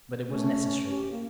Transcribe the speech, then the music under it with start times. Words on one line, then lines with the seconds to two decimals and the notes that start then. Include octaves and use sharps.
But it was necessary.
0.28 A3 C#4
0.89 G4
1.11 A#3